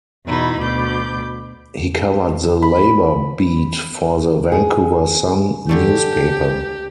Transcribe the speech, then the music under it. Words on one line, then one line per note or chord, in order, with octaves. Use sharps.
He covered the labour beat for the "Vancouver Sun" newspaper.
E2 B2 D#4 E4 B5
D2 B2 B5 D6 G6
B5
G#4
D3 A3 G4